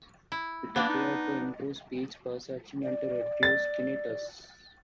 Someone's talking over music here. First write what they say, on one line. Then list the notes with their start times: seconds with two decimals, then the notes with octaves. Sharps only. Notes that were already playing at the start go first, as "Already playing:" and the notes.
It appeared to improve speech perception and to reduce tinnitus.
0.32 E4
0.76 A#3 B3 D4
0.89 D#4
2.83 D5
3.43 A6